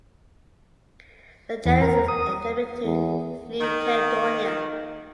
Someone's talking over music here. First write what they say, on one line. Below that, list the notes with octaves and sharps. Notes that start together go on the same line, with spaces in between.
The genus is endemic to New Caledonia.
E2
A#4
D#6
E2
D#3